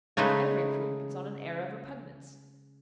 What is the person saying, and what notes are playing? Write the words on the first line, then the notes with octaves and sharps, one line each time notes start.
Every prude puts on an air of repugnance.
C#3 G#3 A3 D#4 B4